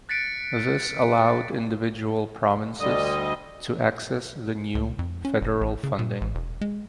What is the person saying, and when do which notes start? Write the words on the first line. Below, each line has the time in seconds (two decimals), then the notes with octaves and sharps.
This allowed individual provinces to access the new federal funding.
0.09 F#6 A6 B6 C#7 D7
2.80 D2 D3 G3 D#5
4.75 C#2
4.99 F2
5.25 C#4
5.41 F#1
5.61 A1
5.83 C#3
5.99 A#2
6.21 A1
6.35 E1
6.61 G#3